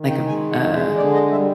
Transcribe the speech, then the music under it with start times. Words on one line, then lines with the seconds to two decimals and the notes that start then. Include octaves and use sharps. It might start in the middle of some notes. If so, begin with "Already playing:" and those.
like a, uh,
Already playing: D#3
0.10 G5
0.27 G#3 G#5
0.51 F#5
0.62 G#3
0.73 E5
0.96 D3 D5
1.13 D#5
1.31 G3 E5